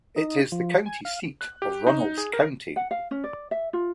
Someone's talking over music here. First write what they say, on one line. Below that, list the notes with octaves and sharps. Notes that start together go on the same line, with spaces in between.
It is the county seat of Runnels County.
D#4
F3
G#5
F5
F#6
G4
D#4
G#4
A#4
F#5
F5
C#4
D5
E5
F4